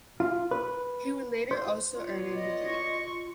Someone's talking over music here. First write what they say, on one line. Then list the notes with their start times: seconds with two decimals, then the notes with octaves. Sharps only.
He would later also earn an degree.
0.20 F4
0.51 B4
1.51 C5
1.95 B3 F4 C#5 D5
2.35 D#5
2.69 C#6